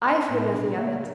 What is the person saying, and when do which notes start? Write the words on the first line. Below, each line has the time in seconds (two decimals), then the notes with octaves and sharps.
"I've heard nothing of it."
0.05 D#5
0.29 A2
0.52 B2 D4
0.76 C#3 A3 A#3